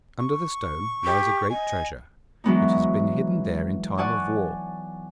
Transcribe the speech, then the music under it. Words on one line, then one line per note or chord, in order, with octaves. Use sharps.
Under the stone lies a great treasure, which has been hidden there in time of war.
C#6
G4
D#5 G#5
E3 F#3 G#3 B3 D4 D#4
D5 F#5 G#5 A5 C#6